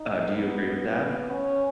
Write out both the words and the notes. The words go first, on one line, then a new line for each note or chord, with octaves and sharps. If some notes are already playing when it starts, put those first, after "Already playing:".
Uh, do you agree with that?
Already playing: D#4
B3
C#4